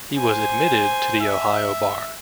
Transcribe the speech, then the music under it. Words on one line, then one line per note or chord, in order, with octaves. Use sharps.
He was admitted to the Ohio bar.
C5 G#5
E5